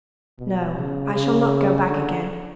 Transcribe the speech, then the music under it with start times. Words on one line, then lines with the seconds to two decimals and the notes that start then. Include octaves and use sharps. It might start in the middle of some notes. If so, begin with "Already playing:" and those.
"No; I shall not go back again."
0.40 B2
0.77 C#3
1.14 C#3
1.89 D3